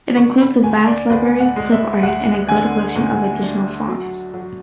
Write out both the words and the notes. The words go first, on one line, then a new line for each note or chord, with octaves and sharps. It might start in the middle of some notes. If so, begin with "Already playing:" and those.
It includes a vast library of clip-art, and a good collection of additional fonts.
D3 C#6
B5
D2 G#5
D5
D2 B4
F#5
G#3
E5
D2 F#5
D3 G#5
D2
D4
F#3
F#3